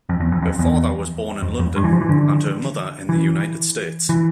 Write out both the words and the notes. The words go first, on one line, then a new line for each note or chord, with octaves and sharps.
Her father was born in London, and her mother in the United States.
F2
E2
F2
F2
E2
F2
F2
G2
E3
F3
E3
D3
E3
E3